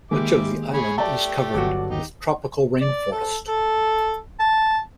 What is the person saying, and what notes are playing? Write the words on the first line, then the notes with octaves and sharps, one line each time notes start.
Much of the island is covered with tropical rain forest.
D#3 G3 G#3 A#3 G4 E5 D6
G#4 C#5 B5
A3 G4 D5 E5 A5
G1 F#3 F#4 D6
D#2 D#4 G4
D5
A4
A4
A5